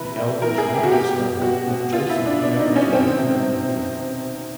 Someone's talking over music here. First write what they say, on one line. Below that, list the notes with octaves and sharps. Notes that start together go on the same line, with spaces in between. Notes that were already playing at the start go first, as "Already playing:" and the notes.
The elders later discover that Joseph had returned to Arimathea.
Already playing: C3 E3 B4
A2
E3 A#4
G#4
A2
G4
F#4
B2 G4
B2
B2 F#4
B2
B2 F4
E4
B2
D4
B2 D4
D#4
B2
C#4
D#3 C4
C3